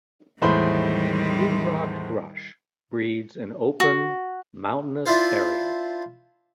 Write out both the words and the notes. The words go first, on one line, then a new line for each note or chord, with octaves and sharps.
Blue rock thrush breeds in open mountainous areas.
E2 A2 D#3 E3 G3 G#3 C5 B5
F#4
D4 E4 F4 C5